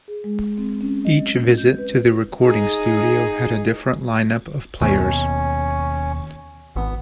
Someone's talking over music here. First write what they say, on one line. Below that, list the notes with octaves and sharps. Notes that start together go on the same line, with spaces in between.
Each visit to the recording studio had a different line-up of players.
G#4
G#3
C4
C#4
D#5
F#3
G6
B4
D#4 G#4
D#2 B2 C#4
G#1 B3